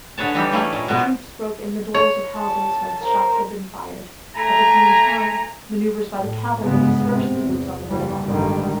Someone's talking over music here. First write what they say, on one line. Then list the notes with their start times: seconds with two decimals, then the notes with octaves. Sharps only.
The troops broke in the doors of houses whence shots had been fired; at the same time, manoeuvres by the cavalry dispersed the groups on the boulevards.
0.17 D3 G#4 B4 C#5 A5
0.34 E3 G3 D#4 G4 A4
0.52 A3 A#3 C#4 E4 G#4
0.73 A#2
0.88 B2 G#3 B3
1.94 C#5
2.36 A5
3.02 A#4 C5
4.35 A3 E4 G#5 A#5
6.17 A2
6.61 G1 D2 G#2 C#3 G#3 B3
7.08 C3
7.42 E2
7.89 F#1 E3 G3
8.24 A1 G2 D3 D#3 G3 G#3